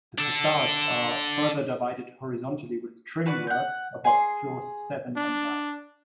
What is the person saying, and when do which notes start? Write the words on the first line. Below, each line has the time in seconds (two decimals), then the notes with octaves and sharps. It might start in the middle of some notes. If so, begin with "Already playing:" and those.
The facades are further divided horizontally with trim work above floors seven and nine.
0.18 D4 A4
3.26 F#4 B4 D5
3.47 F#5 G6
4.04 G#4 C6
5.16 D4